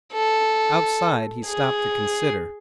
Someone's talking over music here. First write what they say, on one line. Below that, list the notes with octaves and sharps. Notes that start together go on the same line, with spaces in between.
Outside, he stopped to consider.
A4
G#4